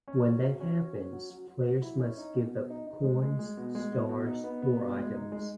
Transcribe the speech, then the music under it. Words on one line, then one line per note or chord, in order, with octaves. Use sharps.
When that happens, players must give up coins, stars or items.
C#4
F#3
F#3
C#4
F#3
C#4
F#3
F#3
F#3
F#3
E4
C#4
D#4
B2
B2
D#4
D#4
G#3
G#3
G#3
B2
G#3
B2
B2
D#4
B3
B3
B2
G#3
D#4
G#3